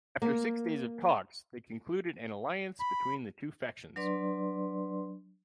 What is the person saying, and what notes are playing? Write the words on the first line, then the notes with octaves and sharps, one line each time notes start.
After six days of talks, they concluded an alliance between the two factions.
A#3
B5
F#3 D4 B4 D5 C6